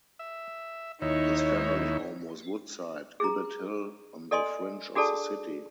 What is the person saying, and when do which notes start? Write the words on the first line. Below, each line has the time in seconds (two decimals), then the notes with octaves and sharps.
His family home was Woodside, Gibbet Hill, on the fringe of the city.
0.19 E5
1.02 D#2 D#4 E4 C#5
3.20 G#4 A#5
4.31 A4 D5 D#5 G#5 C6
4.95 D4 F#4 G#4 A4 D5 A5